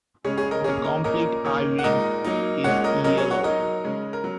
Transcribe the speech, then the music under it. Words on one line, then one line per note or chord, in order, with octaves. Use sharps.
The complete eye-ring is yellow.
C#3 G#3 C#4 G#4 C#5
G#4 C#5
A#4 D#5
C#3 A#3 C#4 G#4 C#5
A#4 D#5
A#2 A#3 C#4 A#4 D#5
D#3 A#3 C#4
F#5
A#2 G#3 D#4 A#4 D#5
F#3 A#3 D#4
A#2 G#3 C#4 C#5 F#5
A#4 D#5
F#3 C#4 A#4 D#5
G#4 C#5
C#5 F#5
F#3 D#4 A#4 D#5
C#3 G#3 C#4
A#4
F#3